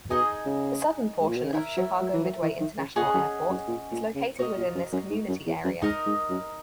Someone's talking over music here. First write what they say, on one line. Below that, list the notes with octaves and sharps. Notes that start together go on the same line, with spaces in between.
The southern portion of Chicago Midway International Airport is located within this community area.
B2 D#4 G#4 D#5 G#5
C#3
G#2
A#2
B2
C#3
D#3 E4 A#4 E5
F#3
F#3
E3
F#3
E3
D#3
C#3
A#2 C#4 G#4 D#5 F#5
F#2
F#2
A#2
A#2
C#3
B2 F#4 A#4 D#5
A#2
F#2
F#2
G#2
F#2
E2
F#2
G#2 D#4 A#4 D#5
G#2
F#2